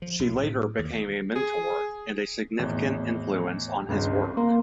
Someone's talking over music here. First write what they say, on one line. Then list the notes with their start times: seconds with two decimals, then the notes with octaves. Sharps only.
She later became a mentor and a significant influence on his work.
0.02 F3
0.19 B1
0.36 A2
0.79 D#2
1.35 G#4
2.59 G#1 E2 A2
3.89 G#1 C#2 G2 C#3
4.37 A#3 C6